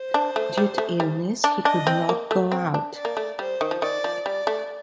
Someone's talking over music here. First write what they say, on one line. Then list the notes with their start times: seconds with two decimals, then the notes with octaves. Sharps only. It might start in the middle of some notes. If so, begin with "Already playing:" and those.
Due to illness, he could not go out.
Already playing: C5
0.14 D4
0.36 A3
0.58 G3
0.78 A3
1.00 G3
1.44 D4
1.65 D4 D#5
1.87 C4
2.09 A#3
2.31 A3
2.52 C4
2.74 D4
2.95 D5
3.05 A#3
3.17 A3
3.39 G3 C5
3.61 D#3
3.71 F3
3.82 D#3 D5
4.04 F3
4.25 G3 D5
4.47 A3